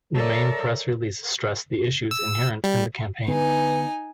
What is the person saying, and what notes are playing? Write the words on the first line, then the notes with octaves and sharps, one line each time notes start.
The main press release stressed the issues inherent in the campaign.
A4 A#4 C#5 D5 E5
E6
G3
D3 B3 D#4 B4 G#5